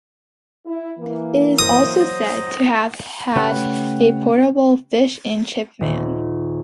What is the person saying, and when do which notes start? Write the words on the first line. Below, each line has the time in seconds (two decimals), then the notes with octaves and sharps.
It is also said to have had a portable Fish and Chip van.
0.66 E4
0.99 E3 A#3
1.59 F#3 C5 D#5 D#6
2.00 D#5
3.36 C#3 A3 C#4 G4 B4 F#5
5.81 D#1